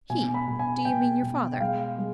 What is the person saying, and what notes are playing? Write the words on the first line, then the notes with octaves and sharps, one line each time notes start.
"He--do you mean your father?"
B2 G#5
B5
B2
G#5
B2 G5
B2
G5
G#3 F5
G#3